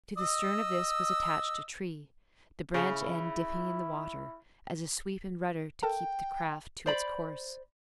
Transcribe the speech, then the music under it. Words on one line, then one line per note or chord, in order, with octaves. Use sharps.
To the stern of this was attached a tree, the branch end dipping in the water, as a sweep and rudder to keep the craft to its course.
D#5 E6
C#3 E4
A4 A#4 G5 A5
C5 D5 B5